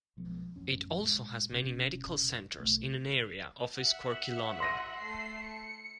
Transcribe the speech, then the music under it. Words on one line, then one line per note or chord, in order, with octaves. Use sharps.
It also has many medical centers in an area of a square kilometer.
B1 F3 G#3 B3
A1 F#2 C#4
A#2 G#3
E1 C3 C#4
B1 A3
E5 F#5
C6 A#6 D#7
A3 C7
C#7